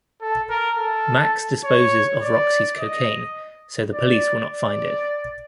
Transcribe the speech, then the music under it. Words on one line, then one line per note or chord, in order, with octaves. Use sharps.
Max disposes of Roxy's cocaine so the police will not find it.
A4
A#4
A4
C#5
D5
D#5
D5
D5